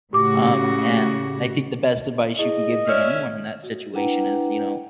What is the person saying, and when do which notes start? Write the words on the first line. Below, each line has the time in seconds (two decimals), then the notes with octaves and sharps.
Um, and I think the best advice you can give to anyone in that situation is, you know
0.13 A2 C#3 F#4 G4 D6
2.39 E4 G#4 D#5
2.88 C#4 C#5 D5 E5 F6
3.63 F#4
3.94 D4 E4 B4 F#5 G5 A#5